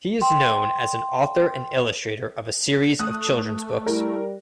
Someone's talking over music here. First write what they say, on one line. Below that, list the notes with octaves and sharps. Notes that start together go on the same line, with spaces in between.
He is known as an author and illustrator of a series of children's books.
G5 C6
A3 D#6 F#6
G3 E4 A#4